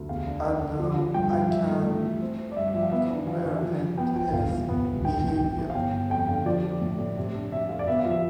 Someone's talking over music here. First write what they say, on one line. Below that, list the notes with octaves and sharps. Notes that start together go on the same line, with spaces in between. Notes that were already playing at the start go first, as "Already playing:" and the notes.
And now I can comprehend his behaviour.
Already playing: D2
E2 F5
D4
D4
D3
F3
F3
G2 G5
F3 F5
G2 E5
A3
A3
E3
C4
C4
D5
G2 E5
F3 E5
F5
B3 E5
D4
E3 F5
E3
F3
F3
B3 G5
F3 G5
G1 F5
E3
B3
E3
E3 G5
E3
G5
E3
E3
F5
G1 G5
G1
F2 G5
D3 F5
F3 D5
F3
A2
A2
C3
D4
C3 E5
F2 F5
D5
B3 E5
F5
F3
E5